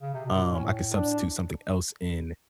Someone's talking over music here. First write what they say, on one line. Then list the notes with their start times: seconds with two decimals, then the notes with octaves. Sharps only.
um I could substitute something else in."
0.02 C#3
0.14 C3
0.26 B2
0.38 A#2
0.50 A2 C#4
0.92 D4